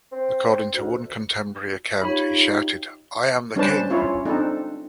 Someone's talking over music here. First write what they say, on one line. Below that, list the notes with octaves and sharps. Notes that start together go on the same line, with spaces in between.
According to one contemporary account, he shouted I am the king!
C4
D2
D#4 F4 G4 C#5 B5
G3 C#4 D4 B4 C5 A5
C#4 E4 F4 C#5
C4 D4 D#4 A4